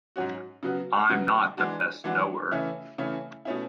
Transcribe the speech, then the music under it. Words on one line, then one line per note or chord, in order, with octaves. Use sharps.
I'm not the best knower.
G#2 F#3 C#4 F#4
C#3 F#3 B3 F#4
C#3 F#3 B3 F#4
E3 G#3 D4 F#4
E3 G#3 D4 F#4
C#3 E3 A3 C#4 E4
C#3 E3 A3 C#4 E4
B2 A3 C#4 E4